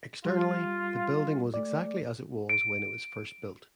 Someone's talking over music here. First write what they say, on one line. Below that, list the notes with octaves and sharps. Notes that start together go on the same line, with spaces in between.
Externally, the building is exactly as it was when it was first built.
G3 F4
A3 D5
D7